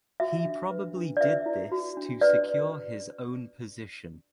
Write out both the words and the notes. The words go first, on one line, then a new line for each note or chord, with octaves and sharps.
He probably did this to secure his own position.
F#4 E5
D4
B4
D4
D5
B4 E5
E4
F#4
D4
B4 D5